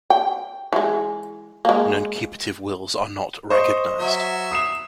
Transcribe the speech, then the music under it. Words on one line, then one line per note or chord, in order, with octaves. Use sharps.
Nuncupative wills are not recognized.
G5
E3 G#3
G#3 A#3
C5 D#5 C#6
F#3 E5
D#6 C7 E7